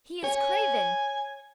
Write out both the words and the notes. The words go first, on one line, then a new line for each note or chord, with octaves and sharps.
He is craven!
C#5 G#5